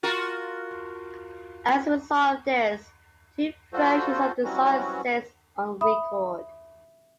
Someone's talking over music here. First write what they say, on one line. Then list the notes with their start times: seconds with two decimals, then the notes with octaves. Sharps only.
As a result of this, two versions of the song exist on record.
0.03 F4 F#4 A#4
3.73 G3 F4 F#4 A4 C5
4.44 E3 F#3 G3 C4 C#4 F#4
5.10 C#3
5.81 E5 B5 D#6